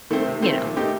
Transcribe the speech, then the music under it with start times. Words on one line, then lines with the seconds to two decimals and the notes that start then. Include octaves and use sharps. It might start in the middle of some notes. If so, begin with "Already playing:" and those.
you know
0.10 D#3 A3 C4
0.26 C3
0.42 D#3 A3 C4
0.59 A#2
0.77 A3 D#4 G4